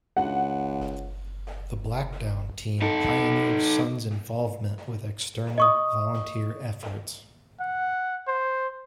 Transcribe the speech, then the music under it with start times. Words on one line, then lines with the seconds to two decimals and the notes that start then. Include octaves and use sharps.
The Blackdown team pioneered Sun's involvement with external, volunteer efforts.
0.17 C#2 F#5
2.82 D#4 A4
5.58 D#5 C#6 D#6
7.60 F#5
8.28 C5